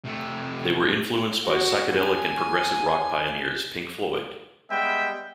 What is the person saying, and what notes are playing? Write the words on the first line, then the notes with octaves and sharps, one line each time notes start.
They were influenced by psychedelic and progressive rock pioneers Pink Floyd.
C3 A3
F#4
G#5
G3 G#3 B3 E5 G5